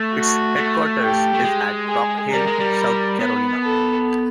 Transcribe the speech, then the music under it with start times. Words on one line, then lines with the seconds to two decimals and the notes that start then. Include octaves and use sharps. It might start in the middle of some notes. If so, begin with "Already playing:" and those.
Its headquarters is at Rock Hill, South Carolina.
Already playing: A3
0.13 F#4
0.57 A3
1.01 G4
1.34 A3
1.44 G#3
1.89 G#4
2.32 G3 A#4
2.47 G#3
2.60 G3
3.20 B3
3.64 A4